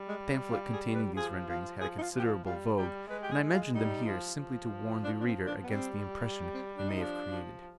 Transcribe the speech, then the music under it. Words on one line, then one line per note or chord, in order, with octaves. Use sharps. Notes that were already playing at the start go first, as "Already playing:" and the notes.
The pamphlet containing these renderings had a considerable vogue, and I mention them here simply to warn the reader against the impression they may have created.
Already playing: G3
G#3
C4
F4
G#4
B4
F3 G#4
F4
F3 G#4
D#4
F4
F3
G4
F4
G3 F4
G3 G4
G#3 B4
G4
G#4
F4
G3 D#4
F3
F3
D4
D4
C4
D4
B3
G3 C4
C4
D4
D#4
F3 D4
F3